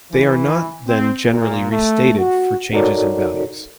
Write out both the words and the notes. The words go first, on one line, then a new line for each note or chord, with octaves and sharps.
They are not then generally restated for changes in values.
E3
C4
A#2
A3
F#4
D#4 F#4 A4 A#4 C#5 D5